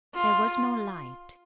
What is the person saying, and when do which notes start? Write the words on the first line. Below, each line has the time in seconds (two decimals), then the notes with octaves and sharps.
There was no light.
0.14 F4